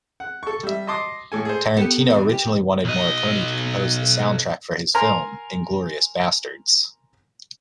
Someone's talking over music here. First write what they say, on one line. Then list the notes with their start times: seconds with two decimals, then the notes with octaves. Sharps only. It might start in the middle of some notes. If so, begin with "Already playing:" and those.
Tarantino originally wanted Morricone to compose the soundtrack for his film, "Inglourious Basterds".
0.20 F#5
0.43 A4 C#6
0.63 G3 E5
0.87 D#5 A5 C6 D6 D#6
1.32 A2 A4 G#5
1.45 G#4 A4 C5
1.77 B3 G4 A4
2.10 F#2 E3
2.29 G4
2.84 B1 D#5
4.95 A#4 G#5 A#5 C6